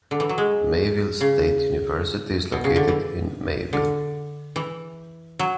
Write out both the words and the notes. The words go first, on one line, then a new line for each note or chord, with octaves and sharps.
Mayville State University is located in Mayville.
D3
E3
F#3
G#3
C#3
B2
C#3
D3
E3
D3
E3
F#3